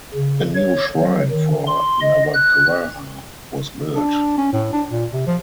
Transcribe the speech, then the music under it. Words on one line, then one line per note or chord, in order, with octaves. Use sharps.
A new shrine for Navagraha was built.
C#3
C#5
F#3
D#3
C6
D#5
F#6
D4
C#4
A2
D4
A#2
C3
F3